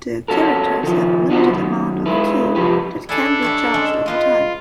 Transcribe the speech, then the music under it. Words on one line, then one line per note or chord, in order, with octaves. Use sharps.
The characters have a limited amount of ki that can be charged over time.
C#4 D4 F#4 A4 A#4
D#3 F3
B3 F4 F#4 C5 F#5
F#2 D#3
G#3 E4 B4
C2 F3 G4 B4
D4 E4 G#4 A4 G#5
G3 A3 C#5
G#3 C#4 D#4
G#3 D#4 F4 B4